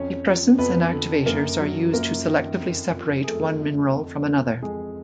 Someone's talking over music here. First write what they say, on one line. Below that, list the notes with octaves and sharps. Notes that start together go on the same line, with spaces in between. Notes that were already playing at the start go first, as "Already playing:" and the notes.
Depressants and activators are used to selectively separate one mineral from another.
Already playing: F2 C#4 C#5
F3
F2 B3 B4
D3
F#2 A#3 A#4
F#3
F#2 A#3 A#4
D#3
F2
F3
G#4
F2 A3 A4
D3
F2
E3
F2 G#3 G#4